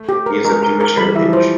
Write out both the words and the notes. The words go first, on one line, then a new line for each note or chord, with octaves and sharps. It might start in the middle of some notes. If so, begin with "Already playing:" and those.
He is of Jewish heritage.
Already playing: A3
G4
A#4
G#3 A#4
A#4
A#4
G3 B5
E3 E5
F3
C5